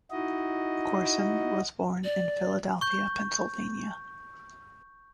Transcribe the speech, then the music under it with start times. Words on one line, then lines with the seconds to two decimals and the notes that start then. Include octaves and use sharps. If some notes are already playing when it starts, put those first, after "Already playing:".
Corson was born in Philadelphia, Pennsylvania.
0.11 D#4 E4 F#4 D#5
2.04 D5
2.81 C#6 G6